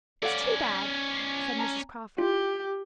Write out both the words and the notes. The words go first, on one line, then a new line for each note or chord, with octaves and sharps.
"It's too bad," said Mrs. Crawford.
C#4 A4 D5 F5 F#5
C7
A5 A#5
E4 F4 G4